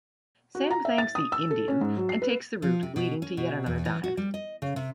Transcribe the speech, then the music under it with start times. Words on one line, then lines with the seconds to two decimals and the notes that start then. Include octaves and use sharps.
Sam thanks the "Indian" and takes the route, leading to yet another dive.
0.55 F#4
0.70 A#5
0.85 E5
0.98 A6
1.15 D#6
1.32 E6
1.51 A4
1.68 C#4
1.81 G#2
1.97 F#3
2.09 C7
2.22 B4
2.62 F3
2.83 C3
2.96 B2
3.22 C#4
3.37 B2
3.66 E2
3.85 E3
4.04 F#4
4.17 G3
4.34 D#5
4.62 C#3
4.76 C3